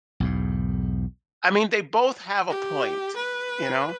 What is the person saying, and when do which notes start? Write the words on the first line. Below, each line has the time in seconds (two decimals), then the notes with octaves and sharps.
I mean, they both have a point, you know
0.20 B1 E2 G#2
2.49 G4
3.16 B4